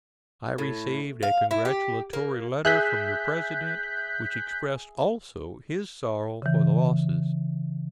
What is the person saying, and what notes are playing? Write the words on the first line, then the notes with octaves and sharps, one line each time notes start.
I received a congratulatory letter from the President, which expressed also his sorrow for the losses.
A2
F5
E4
G4
A#3
G#4 E5 F#6 G6 B6
C#3 E3